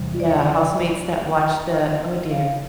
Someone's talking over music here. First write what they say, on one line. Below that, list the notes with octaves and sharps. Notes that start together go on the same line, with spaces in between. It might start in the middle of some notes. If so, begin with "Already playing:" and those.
yeah, housemates that watched the oh dear,
Already playing: E2 C3 E3 G3
D5
C#5
D5
D#5
D#5
F5